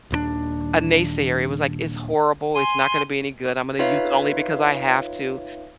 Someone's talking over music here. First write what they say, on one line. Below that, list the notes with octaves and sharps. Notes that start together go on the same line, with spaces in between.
a naysayer, he was like, "It's horrible, it's not gonna be any good, I'm gonna use it only because I have to."
D#1 D#2 D#3 D4
G#5 C6
D#4 F4 B4 C#5 E5 F5